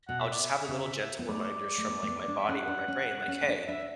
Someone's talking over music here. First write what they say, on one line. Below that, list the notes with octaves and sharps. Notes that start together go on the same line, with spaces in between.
I'll just have the little gentle reminders from, like, my body or my brain, like, "Hey,
B2 F#5
E5
D5
E5
C#3
B3
A3 D5
A3
B3
A3
B3
D4
E5
C#4 F#5
D4
C#4
C#4
C#4
D4
D4 E5